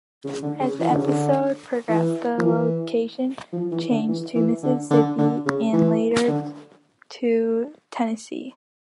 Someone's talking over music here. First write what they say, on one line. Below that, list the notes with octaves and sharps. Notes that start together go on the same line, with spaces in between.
As the episodes progressed, the location changed to Mississippi, and later to Tennessee.
C#3
D3
C#3
E3
D3
C#3
D3
E3
F3
E3
F3
E3
D3
E3
E3
D3
D3
D3
C#3
E3
D3